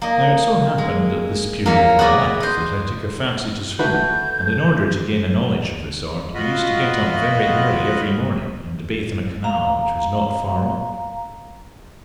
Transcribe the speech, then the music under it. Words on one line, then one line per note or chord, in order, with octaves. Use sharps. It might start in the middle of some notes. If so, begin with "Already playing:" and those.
Now it so happened at this period of my life that I took a fancy to swimming, and in order to gain a knowledge of this art I used to get up very early every morning and bathe in a canal which was not far off.
A#3 D#5
G#3
A#3 A#4 C#5 E5 F5
F#4 G#4 B4 D5 D#5
C5 D#5
A3 F#4 B4 G6
F4 F#4 D#5 B5
F5 A#5